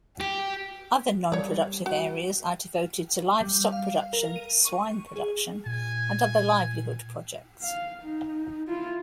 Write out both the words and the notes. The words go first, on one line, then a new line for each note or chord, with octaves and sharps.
Other non-productive areas are devoted to livestock production, swine production and other livelihood projects.
G4
G3 C#5 D5
F#4
G3
F5
A#4
D#7
C#6
G#4
A#2 G#5
F5
D#4
E4 F4